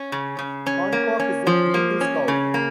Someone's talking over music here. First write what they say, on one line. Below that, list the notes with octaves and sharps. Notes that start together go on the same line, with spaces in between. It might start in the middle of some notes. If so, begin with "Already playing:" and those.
Koncak is an Eagle Scout.
Already playing: C#4
C#3
C#3
C#4
A#3
C#4
F3
A#3
C#4
C#3
A#3